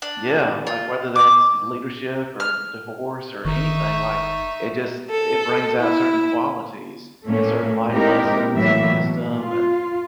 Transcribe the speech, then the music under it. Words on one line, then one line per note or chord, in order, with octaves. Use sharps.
Yeah, like, whether that's leadership or divorce or anything, like, it just it brings out certain qualities and certain life lessons and wisdom and
D4
F4
D6
F6
F#1 D#3 D#4 E5 C#6
A4
E4
A2 A3 A#3 C#4
G#3 C4 D#4 E4 G4 A#4
A2 E3 F#3 A#3 E5
B2
F4